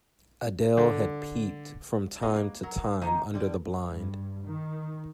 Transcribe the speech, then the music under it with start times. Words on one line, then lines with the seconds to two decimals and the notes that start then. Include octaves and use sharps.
Adele had peeped from time to time under the blind.
0.77 D3
2.22 B3 F4 G#4 C#5 D#5
2.36 A#3
2.63 F#3 A#4
3.02 D#3 A#3 D#4 G#5
3.34 D3 G3 D5
3.90 G2
4.45 D#3